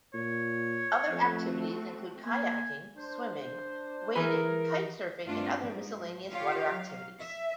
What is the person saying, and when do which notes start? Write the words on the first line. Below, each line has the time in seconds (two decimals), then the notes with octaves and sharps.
Other activities include kayaking, swimming, wading, kite surfing and other miscellaneous water activities.
0.14 A#2 C#5
1.09 F2 A3 C4 F#4
2.26 A#3 G#5
2.96 D4 C5
4.16 E3 G#4 A#4 B4
5.26 G2 A3 C4 D4 F4
5.60 G#2
5.96 F3
6.30 F4 G4 C#5 F5
6.70 F#3 F5
7.18 E5